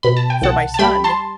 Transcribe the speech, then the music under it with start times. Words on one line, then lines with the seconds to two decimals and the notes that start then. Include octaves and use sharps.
for my son,
0.03 B2 B5
0.17 A5
0.30 G5
0.42 C2 F#5 A5
0.74 A5
0.79 G3 G5 B5
1.04 A5 C6